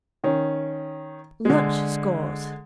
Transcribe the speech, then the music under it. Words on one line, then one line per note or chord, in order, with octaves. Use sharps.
Lunch scores.
D#3 C#4
D3 G#3